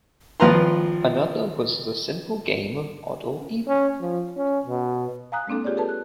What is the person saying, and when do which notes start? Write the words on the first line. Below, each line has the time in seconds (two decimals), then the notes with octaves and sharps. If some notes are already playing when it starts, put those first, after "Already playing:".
Another was the simple game of odd or even.
0.40 G#1 F3 F4 B4 A#5 C6
3.67 C#4
4.01 F3
4.36 C#4
4.66 B2
5.32 F5 G#5 A#5 D#6 F#6
5.47 G#3 A#3 C4 D4 A4
5.65 F4 G4 G#4 C#5 D5
5.77 G#4 A4 B4 A5
5.89 F#6